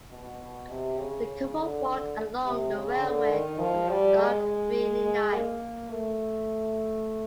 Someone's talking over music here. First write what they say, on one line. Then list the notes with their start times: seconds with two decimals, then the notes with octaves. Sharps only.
The couple walked along the railway on a dark rainy night.
0.11 B2
0.70 C3
0.98 C#3
1.27 C#3
1.56 D3
1.85 D3
2.44 C3
2.73 C#3
3.01 D3
3.30 D#3
3.59 F3
3.89 G3
4.18 G#3
5.33 A#3
5.91 A3